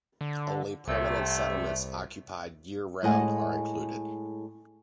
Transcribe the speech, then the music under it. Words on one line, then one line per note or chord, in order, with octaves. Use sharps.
Only permanent settlements occupied year-round are included.
D3
C2 C3 A3
A2 G#3 D#5 F#5 G#5